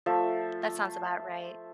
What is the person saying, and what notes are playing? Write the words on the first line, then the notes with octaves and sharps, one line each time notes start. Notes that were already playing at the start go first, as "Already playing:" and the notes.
That sounds about right.
F3 A3 E5